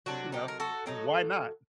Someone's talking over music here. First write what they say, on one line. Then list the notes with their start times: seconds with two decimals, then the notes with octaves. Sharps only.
you know, why not?
0.06 C3 F#3 A3 D4 F#4
0.32 D#4 G4
0.48 A#4
0.60 F#4 A4
0.86 A2 F#3 A3 C4 D#4